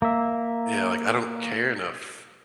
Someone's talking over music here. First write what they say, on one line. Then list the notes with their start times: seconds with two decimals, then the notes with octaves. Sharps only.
Yeah, like, I don't care enough,
0.02 A#3 E5